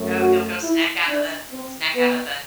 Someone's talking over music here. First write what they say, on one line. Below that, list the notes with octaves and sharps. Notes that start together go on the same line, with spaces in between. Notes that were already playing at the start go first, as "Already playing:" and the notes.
Oh, he'll go snack out of the snack out of the
Already playing: F#2 F#3 A3
F#4
E4
D4
C4
B3